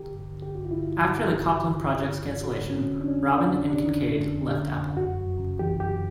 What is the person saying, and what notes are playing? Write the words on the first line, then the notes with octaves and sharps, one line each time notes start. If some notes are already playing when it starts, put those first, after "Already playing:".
After the Copland project's cancellation, Robbin and Kincaid left Apple.
Already playing: D3 G4
G2
D3
G4
G2 F#4
F4
E4
D3
G2 F#4
D3 G4
G2
D3
G2
D3
G2
D3 F#4
F2 C#4
C4
D3
D4
F2 C#4
D3
D4
F2
D3 D4
F2
D3
F2
D3
F2
F#2 F#4
F#2
C#3
E3 G4
F#2 G4